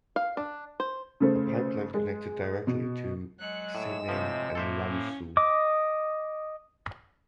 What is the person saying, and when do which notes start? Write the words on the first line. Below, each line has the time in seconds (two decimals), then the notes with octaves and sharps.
A pipeline connects it directly to Xining and Lanzhou.
0.16 F5
0.37 D4
0.80 C5
1.20 C#3 A3 C5
1.94 G#3
2.67 B2
3.40 F#3 G#3 F#6 C#7
3.75 A2 E6 E7
4.08 A2 C3 F3 C4
4.55 A2 A#3 A4 C5 E5
4.89 C#4
5.37 D#5 D6